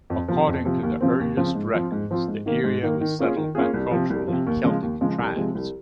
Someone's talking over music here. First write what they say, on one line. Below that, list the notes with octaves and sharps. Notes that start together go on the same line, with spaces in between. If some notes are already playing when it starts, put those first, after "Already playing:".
According to the earliest records, the area was settled by culturally Celtic tribes.
F2
C3 F3
F2
C3 F3
D#2
C#3 F3 C4
D#2
C#3 F3 C4
G#2
F3 C4 F4
G#2
F3 C4 F4
G#2
D#3 A#3
G#2
D#3 A#3
D#3
A#3 C#4 F4 G#4
D#3
A#3 C#4 F4 G#4
C2
C3 F3
C2
C3 F3
D#2
C#3 F3 G#3
D#2
C#3 F3 G#3
C2
C3 F3 G#3
C2